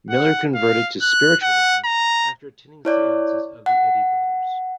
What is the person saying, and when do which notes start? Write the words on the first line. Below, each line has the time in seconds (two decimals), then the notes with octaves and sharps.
Miller converted to spiritualism after attending seances of the Eddy brothers.
0.10 F#5
0.55 F5
1.02 F#6
1.42 F#5
1.84 A#5
2.85 E4 C#5 D5
3.66 F#5